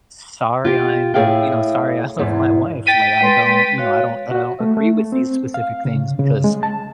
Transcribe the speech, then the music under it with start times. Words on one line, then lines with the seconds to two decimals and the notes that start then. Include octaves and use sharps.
"Sorry, I'm" You know, "Sorry, I love my wife." Like, I don't you know, I don't that I don't agree with these specific things because,
0.65 F4 G4 G5
1.14 A2 A3 B3 G#4 F5 G5
2.18 E2 G#2
2.87 G5 A6 B6 D#7
3.21 G#3 B4 C6
3.78 F#4 C#5 F5
4.31 F#4
4.60 A3
4.77 A3
5.12 C4
5.54 F5
5.85 C#3
6.19 C#3
6.44 G#3
6.63 A5